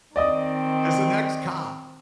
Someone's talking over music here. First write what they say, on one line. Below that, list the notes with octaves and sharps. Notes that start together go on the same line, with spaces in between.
as an ex-cop,
D#3 C4 D5 D#5 D#6